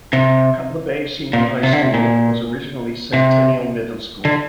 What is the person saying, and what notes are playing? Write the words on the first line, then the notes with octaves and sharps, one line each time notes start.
Cutler Bay Senior High School was originally Centennial Middle School.
C3
A#2
C3
D3
C3
A#2
C3
D3